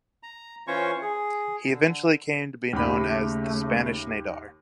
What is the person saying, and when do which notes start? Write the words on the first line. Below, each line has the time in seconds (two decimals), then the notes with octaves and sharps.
He eventually came to be known as the "Spanish Nadar".
0.23 A#5
0.67 E3 C#4 F4 C5 C#5 C#6
1.02 G#4
1.71 D3
2.73 D#2 C#3 A3 G4 B5